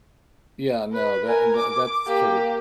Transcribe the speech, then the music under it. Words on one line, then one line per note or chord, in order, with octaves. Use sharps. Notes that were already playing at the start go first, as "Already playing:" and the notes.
Yeah, no, tha and tha that's sort of
B4
A#4 G#5
D6
A#3 G4